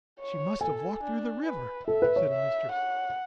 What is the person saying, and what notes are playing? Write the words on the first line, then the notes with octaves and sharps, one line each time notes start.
"She must have walked through the river!" said a mistress.
C#5
A4 G#5
D4
B4
A4 E5
B4
C#5
E5
F#5